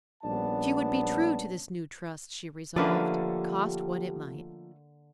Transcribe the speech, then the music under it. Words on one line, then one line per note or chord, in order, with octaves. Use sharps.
She would be true to this new trust, she resolved, cost what it might.
A#1 G3 B3 C#4 D4 A5
D3 F3 A3 A#3 C#4 G4 B4 D5